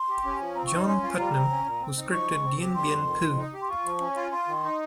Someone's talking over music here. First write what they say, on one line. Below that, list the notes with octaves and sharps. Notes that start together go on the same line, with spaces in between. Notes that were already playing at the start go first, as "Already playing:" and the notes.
John Putnam, who scripted Dien Bien Phu!
Already playing: C6
G4
C#4
F3
C4 A#5
C#6
D#4
C6
C#6
C#4 C6
F4
G3 A#5
C4
C#4
A#2
C4
D#4
F3 C#6
G#3
C4
G4
G3 C6
F2
D#3
F2
D#4
G4
C6
F4 C#6
F3
C#4
F4
F4 C6
D#3
D#4